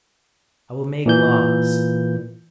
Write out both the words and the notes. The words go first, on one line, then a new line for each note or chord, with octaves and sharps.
I will make laws.
A#2 E3 G6